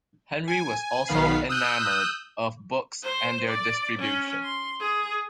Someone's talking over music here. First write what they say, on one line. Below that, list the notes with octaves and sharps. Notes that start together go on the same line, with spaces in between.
Henry was also enamoured of books and their distribution.
G#5
B1 D#3 B3 F5 B5 C7
D#6 E6 F#6 G6
C5
D5
C#4
C6
G#4